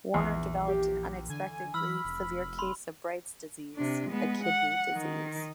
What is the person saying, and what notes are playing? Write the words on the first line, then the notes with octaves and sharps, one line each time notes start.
Warner developed an unexpectedly severe case of Bright's disease, a kidney disease.
A#1 E2
G4
D3 G#5
E3 B5 E6 F6
F1
B5 C6
C3 D4
G#3 B3
F#5
D#3